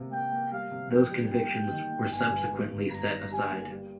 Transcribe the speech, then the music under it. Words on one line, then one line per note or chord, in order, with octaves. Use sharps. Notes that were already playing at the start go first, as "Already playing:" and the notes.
Those convictions were subsequently set aside.
Already playing: C3 A#3
A#3 G5
A#3
G3 F5
C3
F2 G5
G3
D#2 G5
D#2
D#3
A#3
G1 G#5
G2
G2
G1
G2 A#5
D#3
G3 G#5
A#3
G3